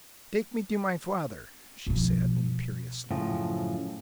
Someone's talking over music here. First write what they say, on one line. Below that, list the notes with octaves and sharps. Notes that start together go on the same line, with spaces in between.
"Take me to my father," she said, imperiously.
B2 F3
F#2 A2 C#3 F3